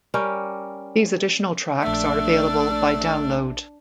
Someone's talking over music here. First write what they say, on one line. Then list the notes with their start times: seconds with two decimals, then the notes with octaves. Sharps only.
These additional tracks are available by download.
0.14 G3 C#4 G4 A#4
1.82 A#1 A3 D4 D5 E5 E6